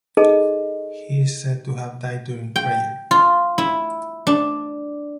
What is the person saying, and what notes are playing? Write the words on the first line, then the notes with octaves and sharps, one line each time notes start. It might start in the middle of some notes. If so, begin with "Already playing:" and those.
He is said to have died during prayer.
D#4 G#4 A4 D#5 A5
G5
F4
E4
D4